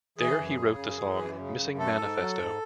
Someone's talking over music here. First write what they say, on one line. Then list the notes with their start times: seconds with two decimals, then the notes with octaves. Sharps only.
There he wrote the song "Missing Manifesto".
0.18 E3 G#4
0.38 F#2
0.58 C#3
0.78 F#2
0.98 E3
1.18 F#2
1.38 C#3
1.58 F#2
1.78 A3 A4
1.98 G#2
2.18 F#3
2.38 G#2